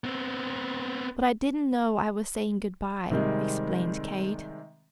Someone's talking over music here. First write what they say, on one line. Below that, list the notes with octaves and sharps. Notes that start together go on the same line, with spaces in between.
"But I didn't know I was saying good-bye," explained Kate.
B3 C4
C3 D#3 G3 G#3 C4